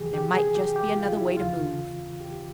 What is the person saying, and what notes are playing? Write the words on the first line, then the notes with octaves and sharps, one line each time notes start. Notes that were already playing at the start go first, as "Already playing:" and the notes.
There might just be another way to move.
Already playing: E2 C3 E3 G4 G#4
G4
G#4
G4
G4
F4
E4
E2 C#3 E3 F4
G4